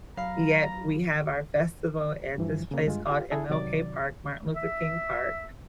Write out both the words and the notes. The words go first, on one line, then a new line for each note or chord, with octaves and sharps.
yet we have our festival at this place called MLK Park Martin Luther King Park,
F#3 F5 A#5 B5
G2 E3 F3
C#3 A#3
G2 G#3 F4
F4 G4 F5
E4 G#4 A4 E5
C3 D#3 F#3 D5 D6 A6
E5